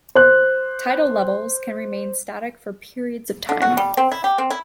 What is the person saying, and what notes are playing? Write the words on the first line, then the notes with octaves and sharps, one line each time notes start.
Tidal levels can remain static for periods of time.
C5 F#6
D3
F#4
G3
C4
E4
G4
C4
E4